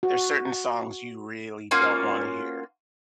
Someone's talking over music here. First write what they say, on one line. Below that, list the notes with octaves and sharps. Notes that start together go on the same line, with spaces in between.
there are certain songs you really don't wanna hear,
F#4
A#3 C#4 F4 F#4